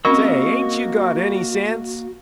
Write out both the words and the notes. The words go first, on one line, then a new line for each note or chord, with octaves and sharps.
"Say, ain't you got ANY sense?"
A#3 C4 C#4 F#4 A#4 D#5 C#6 E6